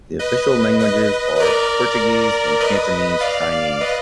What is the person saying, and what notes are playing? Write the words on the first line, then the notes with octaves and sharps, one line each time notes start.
The official languages are Portuguese and Cantonese Chinese.
B4 D#5
B4 D#5
B4
A#4 D5
B4 D#5
D5 F5
B4 D#5